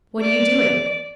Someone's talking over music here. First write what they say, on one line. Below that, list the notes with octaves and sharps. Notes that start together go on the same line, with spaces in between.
'What are you doing?'
D5